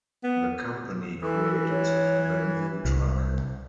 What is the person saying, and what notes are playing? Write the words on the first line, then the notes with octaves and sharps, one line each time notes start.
The company created the new truck.
B3
E3 A4
C#5
C2